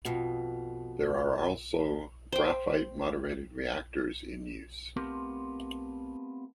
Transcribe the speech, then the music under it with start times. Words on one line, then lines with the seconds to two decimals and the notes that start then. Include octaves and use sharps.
There are also Graphite moderated reactors in use.
0.05 F2 B2
2.32 C5 G5
4.96 A3 B3 C4 F4 G4 A#4